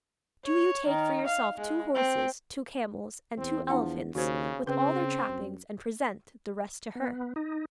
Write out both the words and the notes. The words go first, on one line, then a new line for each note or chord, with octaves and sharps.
Do you take for yourself two horses, two camels, and two elephants, with all their trappings, and present the rest to her.'
C#5
D#3
F5
G#3
C4
E2 C4
F3 D4 E4 F#5
D#2 C#3 F#4 C5
C#3 C4 B4 G5
F#2
B3
D#4